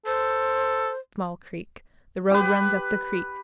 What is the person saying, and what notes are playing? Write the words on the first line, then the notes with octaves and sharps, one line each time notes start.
Small Creek.--The road runs up the creek.
A4 C5
G4 B4